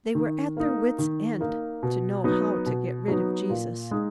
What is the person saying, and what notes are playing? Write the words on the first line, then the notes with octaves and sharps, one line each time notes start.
They were at their wits' end to know how to get rid of Jesus.
D#3
A#3 D#4
D#3
A#3 D#4
B2
F#3 B3 D#4
B2
F#3 B3 D#4
A#2
G#3 D#4